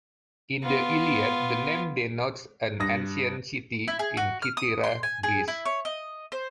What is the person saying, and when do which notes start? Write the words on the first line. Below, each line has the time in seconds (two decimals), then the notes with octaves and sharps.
In the Iliad the name denotes an ancient city in Kythira, Greece.
0.63 B3 F4
2.80 G2 D#6 A#6
3.88 E4
3.99 G#4
4.17 F#4
4.42 F6
4.57 D#6
4.84 C6
5.03 G#5
5.23 G#4
5.48 E4
5.65 C#5
5.85 D#5
6.32 C5